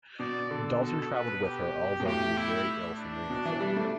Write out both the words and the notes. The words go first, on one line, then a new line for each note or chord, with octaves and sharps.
Dalton traveled with her, although he was very ill from renal failure.
B2 D5
D3 A4
B2 A4
B4
G4
B2
A2 G4
E4
D4
B2
E3
G3
A3